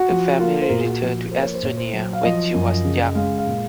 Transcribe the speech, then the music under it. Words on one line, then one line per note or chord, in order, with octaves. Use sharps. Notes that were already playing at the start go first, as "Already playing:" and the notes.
The family returned to Estonia when she was young.
Already playing: F#4
F3
A#3 F4
C5
A#2 A#4
G#4
F#4
F3
A#3 C5
C#5
C5
A#2 C#5
C5
F#3
F5
F3 D#5
F#2
C#3
G#3 F5
F5
A#2